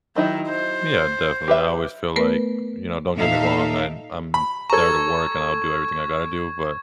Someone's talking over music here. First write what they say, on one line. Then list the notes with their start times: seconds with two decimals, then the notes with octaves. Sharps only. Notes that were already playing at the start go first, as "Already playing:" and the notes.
Yeah. Definitely. I always feel like you know, don't get me wrong. I'm I'm there to work, and I'll do everything I gotta do. But
0.16 D#3 F#3 D#4 E4
0.49 C5
1.48 G4 B4 E5
2.16 A3 B3 A#4 B4
3.16 A#2 D#4 A4 E5 F5
4.34 B5
4.70 A4 A#5 C#6 G#6